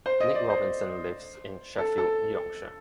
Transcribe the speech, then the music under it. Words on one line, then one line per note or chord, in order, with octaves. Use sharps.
Nick Robinson lives in Sheffield, Yorkshire.
C5
D#5
D5
C5
A4
A4